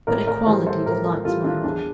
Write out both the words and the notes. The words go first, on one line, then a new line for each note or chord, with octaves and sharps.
But equality delights my heart.
A2 A#4 D5
A#4 D5
E3 G3 A4 C5
A4 C5
A2 G4 A#4
F4 A4
E3 G3 F4 A4
D4 F4
E2 D4